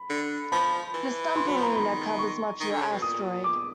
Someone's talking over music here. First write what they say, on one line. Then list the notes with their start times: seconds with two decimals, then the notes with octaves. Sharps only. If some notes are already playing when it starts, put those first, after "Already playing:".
The Stump Arena covers much of the asteroid.
Already playing: B5
0.09 D3
0.52 F3 B5
0.94 E3
1.36 C6
1.47 F#3 B5
1.57 F3
1.62 E3 A#5
1.76 D#3 B5
2.18 C#6
2.60 D#3
2.71 D3
2.81 C#3
2.92 B2
3.02 A#2 D#6
3.44 D6